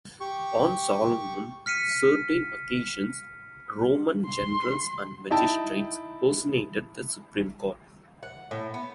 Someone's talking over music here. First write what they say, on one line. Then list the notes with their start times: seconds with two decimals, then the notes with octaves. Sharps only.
On solemn certain occasions Roman generals and magistrates personated the supreme god.
0.21 G4 C#6
1.66 F6 B6 C#7 D#7
4.26 C6
5.30 D#4 E4 G5 A5 B5
8.23 F#5
8.51 A2
8.74 B3